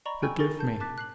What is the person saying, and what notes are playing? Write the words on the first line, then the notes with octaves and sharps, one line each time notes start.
"Forgive me!"
D5 D#5 A#5 B5 C#6
G5 G#5 B5 C#6 E6
G#4 A#4 C#6 A6 A#6
A5 G6
A5 D6 F#6 A6 B6
F#6 C7 F#7